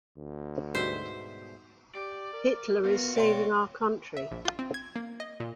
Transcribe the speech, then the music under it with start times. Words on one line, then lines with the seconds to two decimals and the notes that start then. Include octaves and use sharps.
Hitler is saving our country.
0.17 D2
0.75 G#2 B2 G3 C5 E5
1.95 G4 D5
2.33 A#4
2.85 B3 F4 F#4
3.16 B2 C#5 D5 G5 C6
4.17 E5
4.31 A#1
4.45 F4
4.59 C4
4.74 G#6
4.96 A#3
5.20 D#5
5.40 A#2